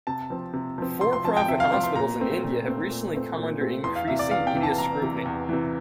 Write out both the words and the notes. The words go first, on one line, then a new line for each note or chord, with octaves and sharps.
For-profit hospitals in India have recently come under increasing media scrutiny.
C3 A5
F3 C4
C3
F3 C4
C3 C6
C6
F3 C4 A5
G5
C3 E5
F5
F3 C4 C6
C6
A#2 A#5
A3 C4
A#2
A3 C4
A#2
A3 C4
A#2
A3 C4
E2 C6
F5
C3 E3 E5
D5
E2 F5
G5
C3 E3
A5
E2 A#5
C3 E3
E2
C3 E3